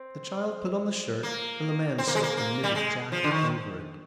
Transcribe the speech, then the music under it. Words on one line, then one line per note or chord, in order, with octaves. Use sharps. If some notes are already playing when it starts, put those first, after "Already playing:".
The child put on the shirt, and the man slipped the knitted jacket over it.
Already playing: C4
A#3
C4
A#3
G#3
A#3
A#3
G3
G#3
F3
D3
D#3